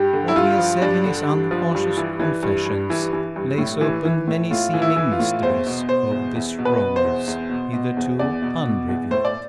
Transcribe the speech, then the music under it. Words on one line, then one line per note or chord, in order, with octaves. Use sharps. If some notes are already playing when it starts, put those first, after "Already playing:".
What he has said in his unconscious confessions lays open many seeming mysteries of this romance, hitherto unrevealed.
Already playing: G2 G4
D3
E4
G2 F4
F3
G2 D4
D3
G2
F3
G2
E3
E3
G2
G2
E3
E3
G2
A2
E3
E3
A2
A2 F4
E3
E4
E3
F4
A2
E2 C5
B2
B2 C5
E2
E2
B2
B4
B2
C5
E2
E2
B2
B2
E2
E2 D5
B2
B2
E2
A2 C5
D5